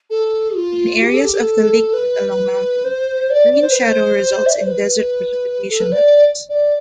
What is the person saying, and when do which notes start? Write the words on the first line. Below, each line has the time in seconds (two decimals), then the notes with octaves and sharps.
In areas of the lakebed along mountains, rain shadow results in desert precipitation levels.
0.10 A4
0.56 F4
1.02 G4
1.14 A4
1.24 G4
1.36 A4
1.94 B4
2.85 C5
3.30 D5
3.53 D5
3.62 C5
3.71 B4
3.80 C5
4.46 E5
4.53 D5
4.60 C5
4.67 B4
5.70 A4
5.80 B4
5.92 D5
6.49 D5